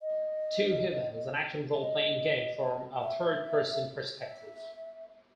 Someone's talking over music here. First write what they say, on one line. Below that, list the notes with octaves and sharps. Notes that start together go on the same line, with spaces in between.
"Too Human" is an action role-playing game from a third-person perspective.
D#5
E5
D#5
E5
E5